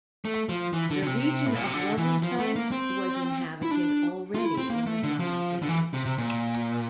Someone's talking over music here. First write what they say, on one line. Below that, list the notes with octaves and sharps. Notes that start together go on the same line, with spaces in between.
The region of Lovosice was inhabited already in the Bronze Age.
A3
F3
E3
D3
D3
C3
A2
A#2
C3
D3
E3
F3
A3
A#3
C4
E4
D4
F4
E4
C4
A#3
A3
D3
F3
D3
E3
C3
C3
A#2